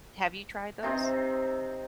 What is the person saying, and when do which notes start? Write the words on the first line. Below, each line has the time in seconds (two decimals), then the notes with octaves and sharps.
Have you tried those?
0.83 C3 C4 D#4